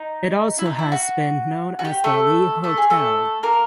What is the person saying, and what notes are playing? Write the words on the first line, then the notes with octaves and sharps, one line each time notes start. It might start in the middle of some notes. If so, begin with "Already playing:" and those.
It has also been known as the Lee Hotel.
Already playing: D#4
E4
D#4
E4
F#4
F#4
G4
A3 A4
A3 A4
G#4
A3 A4
A#3 A#4